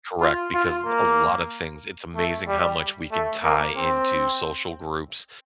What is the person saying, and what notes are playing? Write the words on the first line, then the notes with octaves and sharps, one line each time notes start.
Correct, because a lot of things it's amazing how much we can tie into social groups,
F4
F4
A#3
A3
G3
A3
A#3
C4